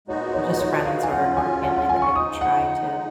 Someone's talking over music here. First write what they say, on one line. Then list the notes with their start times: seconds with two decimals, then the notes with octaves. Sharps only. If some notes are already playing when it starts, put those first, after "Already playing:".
just friends or or family that I could try to
0.08 A#2 G#3 B3 D#4 F#4 C#5
0.34 C#5
0.60 C#5
0.85 F5
1.03 G#5
1.11 G#2 F#3 C#4 F4 F#5
1.37 G#5
1.63 F#5
1.76 F#5
1.89 G#5
2.02 C#6
2.15 F3 G#3 D#4 D#6
2.41 F#5